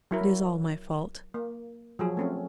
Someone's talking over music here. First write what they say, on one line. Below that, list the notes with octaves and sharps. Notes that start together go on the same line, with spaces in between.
It is all my fault.
F#3 E4 A#4
A#3
F3 F#3 G#4
A3 C4 C#4